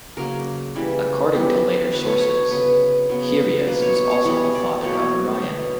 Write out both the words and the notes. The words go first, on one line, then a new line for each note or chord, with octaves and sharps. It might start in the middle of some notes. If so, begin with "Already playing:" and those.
According to later sources, Hyrieus was also the father of Orion.
C#3 F#3 A#3 A#4
C#3 E3 G3
E3 B3 G4
D3 F#3 B3 B4
C#5
C#5
C#3 F#3 B3 B4
C#3 F#3 B3
B2 A#3 B4
C#5
C#5
C#5
E3 G3 B3 C#5
D5
B2 F#3 A#3 C#5
D3 F#3 B3